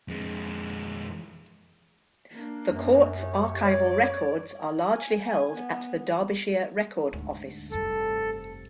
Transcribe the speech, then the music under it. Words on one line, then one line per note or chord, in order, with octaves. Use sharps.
The Courts' archival records are largely held at the Derbyshire Record Office.
F2 G#3
A#3 D4
F#2
G4 C#5
C#5 D5
G#5
B3
D2 G#2
F1 G2 A4